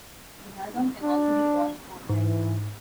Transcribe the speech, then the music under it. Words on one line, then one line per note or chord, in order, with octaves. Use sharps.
The Marathon can also be watched online.
D4
G#2 E3